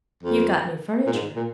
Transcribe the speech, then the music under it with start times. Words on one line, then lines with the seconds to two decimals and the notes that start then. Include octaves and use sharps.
'You've got new furniture.'
0.23 F2
1.06 A#2
1.13 G#2
1.35 A#2